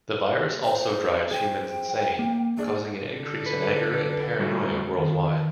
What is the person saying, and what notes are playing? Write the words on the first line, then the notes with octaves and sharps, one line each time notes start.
The virus also drives humans insane, causing an increase in anger and paranoia worldwide.
C5
G#4 C5 G5
A#3
A3 D4 G#4 D5
D3 A4
B4
G3 A3 F#4
D#3